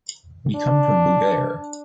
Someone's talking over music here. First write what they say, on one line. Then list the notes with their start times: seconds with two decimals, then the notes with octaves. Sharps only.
We come from Búger.
0.55 D4